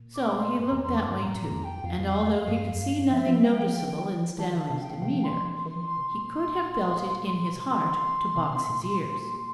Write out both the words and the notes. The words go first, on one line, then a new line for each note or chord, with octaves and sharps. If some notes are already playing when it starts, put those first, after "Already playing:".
So he looked that way too; and although he could see nothing noticeable in Stanley's demeanour, he could have felt it in his heart to box his ears.
Already playing: A#2
D6
A#5
C6
G2 C6
E2 A#5
C6
F2
D6
G2 C6
A2 A#5
A#5
F2
G5
F2 F5
F2
E2
G2
F2
G2
F3 E5
F3
G3 G5
F3
E3 A5
D3
C3 F5
G5
F5
C3 G5
F3
E3
C6
F3
C6
E3
E3 C6
F3
E3 C6
C3
C6
A#2
C3 C6
E3
D3
C3
C3
A#2